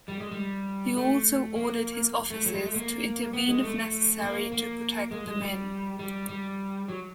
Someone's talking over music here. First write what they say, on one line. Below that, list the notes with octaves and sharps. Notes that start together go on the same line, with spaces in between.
He also ordered his officers to intervene if necessary to protect the men.
G3
G#3
G3
A3
A#3
A3
F#3
G#3
A3
A#3
B3
G#3
A3
A#3
A#3
G#3
G#3
G3
G3
G3
F#3